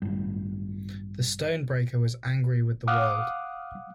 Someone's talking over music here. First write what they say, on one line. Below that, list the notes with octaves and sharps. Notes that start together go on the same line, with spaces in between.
The stone-breaker was angry with the world.
A1 G2
F5 F#5 D6 D#6 F6 F#6